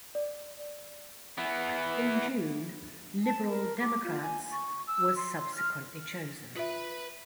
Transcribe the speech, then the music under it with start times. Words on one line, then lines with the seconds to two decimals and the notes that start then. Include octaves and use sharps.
In June "Liberal Democrats" was subsequently chosen.
0.15 D5
1.38 E3 B3
3.24 A5
3.49 A#4
3.78 D6
4.04 F4
4.21 G#5
4.51 C#6
4.87 E6
5.16 C6
5.53 F6
6.56 F4 B4 E5 B5